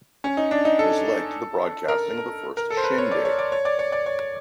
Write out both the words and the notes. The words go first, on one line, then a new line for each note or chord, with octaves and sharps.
This led to the broadcasting of the first Shindig!
C#4
D#4
D4
D#4
A4
A#4
A#4
A4
C5
B4
C#5
D5
C#5
D5
C#5
D5
C#5
D5
C#5